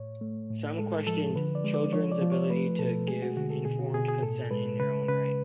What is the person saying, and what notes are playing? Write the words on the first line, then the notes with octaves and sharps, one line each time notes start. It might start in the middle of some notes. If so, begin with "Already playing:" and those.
Some questioned children's ability to give informed consent in their own right.
Already playing: A2 C#5
A3
A2
G#3 A4
F3 A4
D3 B4
D5
G#3
D5
F3 C#5
D5
F3
C#5
A3 B4
B2 A4
G#3 G#4
F#4
D3 F#4
A4
B2 G#4
F#4
B2 G#4
G#4
A2 A4
G#3 B4
C#3 B4
C#3 B4